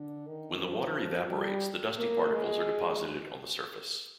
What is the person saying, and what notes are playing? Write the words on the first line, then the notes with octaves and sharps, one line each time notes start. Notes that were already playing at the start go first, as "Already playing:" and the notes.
When the water evaporates, the dusty particles are deposited on the surface.
Already playing: D3
D#3
F3
G3
A#3
G#3